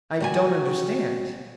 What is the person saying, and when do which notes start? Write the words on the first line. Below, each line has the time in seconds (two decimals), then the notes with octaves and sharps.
"I don't understand."
0.20 G3 F#4 G#5